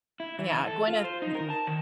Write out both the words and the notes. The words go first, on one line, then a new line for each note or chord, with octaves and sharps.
Yeah, Gwyneth. Mm-mm.
E4
E3
E3
A4
F4
C5
D#4
A#4
A5
D#3